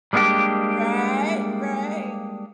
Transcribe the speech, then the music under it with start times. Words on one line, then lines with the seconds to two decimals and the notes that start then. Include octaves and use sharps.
Right, right.
0.13 G3 G#3 A#3 D4 G4